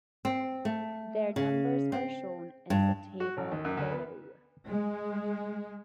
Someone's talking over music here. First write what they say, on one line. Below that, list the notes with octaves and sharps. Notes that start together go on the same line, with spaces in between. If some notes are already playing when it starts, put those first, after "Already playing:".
Their numbers are shown in the table below.
C4
A3
C#3
C4
G2
F#4
A1
D#2
F#2
D2
B3
G#3